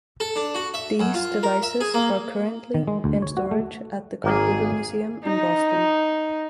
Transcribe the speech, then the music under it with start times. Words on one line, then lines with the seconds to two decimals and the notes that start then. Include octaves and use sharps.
These devices are currently in storage at the Computer Museum in Boston.
0.20 A4
0.36 D4
0.55 F#4
0.74 E5
1.00 F#2
1.14 F4
1.43 A#4
1.63 E5
1.81 G#4
1.94 A#3
2.74 D#3
2.88 G#3
3.04 D2
3.22 C#5
3.37 F#4
3.51 A3
4.24 G#1 A#3 G#4
5.23 D#4